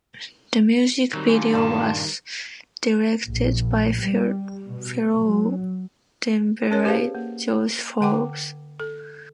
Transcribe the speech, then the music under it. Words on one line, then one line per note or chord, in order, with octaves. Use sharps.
The music video was directed by fellow Denverite Josh Forbes.
D#3 F#3 G3 C4
D3 F4 G#5 D6
G2 A#2 C#3 A5
A#1
G3
B2
F#3
C#4 A#4 C#5
G4 G#4 B4 C5 F5 A5
A#3
D3 B4 F#5 G5 D6
A4